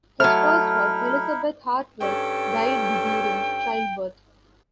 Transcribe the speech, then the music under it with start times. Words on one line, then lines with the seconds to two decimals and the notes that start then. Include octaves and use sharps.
His first wife, Elizabeth Hartwell, died during childbirth.
0.20 F#3 A3 D#4 E4 F6
2.00 G2 C#4 A4 G5